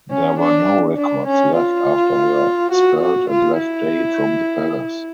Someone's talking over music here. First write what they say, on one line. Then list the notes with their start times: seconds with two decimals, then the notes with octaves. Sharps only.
There were no records left after her expelled and left day from the palace.
0.10 C#4
0.39 D4
0.97 D4
1.27 C#4
1.56 F4
2.72 F#4
3.01 F#4
3.30 F4
3.59 E4